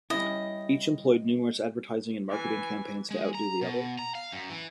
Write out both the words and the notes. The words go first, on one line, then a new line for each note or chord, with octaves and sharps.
Each employed numerous advertising and marketing campaigns to outdo the other.
G3 C#4 E4 D#5
E3 G#5
G#3
A#5
B2
A#5
F5
F#2
E3